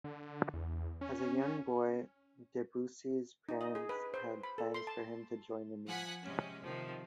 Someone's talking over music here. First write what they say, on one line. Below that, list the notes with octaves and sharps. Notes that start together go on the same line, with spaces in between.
As a young boy, Debussy's parents had plans for him to join the navy.
D3
E2
C#4
D#4
D#5
G#4
B4
C5
B5
A4
C6
A5
F3 F#5 G#5 F#6 G#6 B6
C3 G#3 C#4
C3 D#3 F3